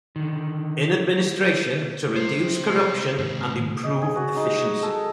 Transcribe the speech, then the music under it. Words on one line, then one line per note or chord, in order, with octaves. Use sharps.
In administration to reduce corruption and improve efficiency.
D3 D#3
G4 C5
G#2 D#3
D#5
G#4
F#4
D#4
D#5
A4